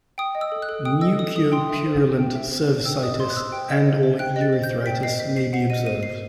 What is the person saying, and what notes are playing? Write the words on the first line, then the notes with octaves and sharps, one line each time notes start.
Mucopurulent cervicitis and or urethritis may be observed.
G5 D#6
D#5
E6
A4
F#6
A4
G5 D#6
D#5 E6
A4 D#6
A4 D#6
G5 C6
E5
C5
C5
G5
E5
C5
C5
G5 E6
D#5 D#6
C5 C6
F#6
C5 E6
G5
D#5
C5
C5
G5 F#6
D#5
A6
C5
G6
C5
G5 B6
D#5 C7
C5 B6
C5 C7
F#5 C7
D#5 D#7
C5 D#7
C5 C7